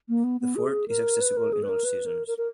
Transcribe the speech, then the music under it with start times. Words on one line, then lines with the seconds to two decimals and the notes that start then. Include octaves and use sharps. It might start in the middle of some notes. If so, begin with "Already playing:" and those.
The fort is accessible in all seasons.
0.09 A#3
0.24 B3
0.41 B3
0.56 G#4
0.88 A#4
1.21 B4
1.37 A#4
1.53 G#4
1.63 B4
1.69 A#4
1.84 B4
2.06 A#4
2.27 A#4
2.38 A#4